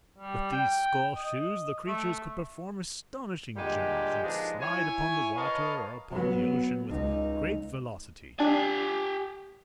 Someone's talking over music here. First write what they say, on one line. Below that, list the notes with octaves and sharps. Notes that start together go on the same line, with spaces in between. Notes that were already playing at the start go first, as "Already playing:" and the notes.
With these skull-shoes the creatures could perform astonishing journeys, and slide upon the water, or upon the ocean, with great velocity.
G3
G5
D#5
A3
A#2 D3 G3 G#3 A#3 G4
D#3 F3 G#3 B3 D4
E4 C#5 G#5
A#4 B4 C#5 D#5 F5 A5
F#3 B3
C#2 D#4
D4 G4 G#5